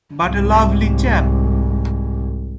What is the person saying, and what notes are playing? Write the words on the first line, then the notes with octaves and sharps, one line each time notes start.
But a lovely chap!
C2 G#2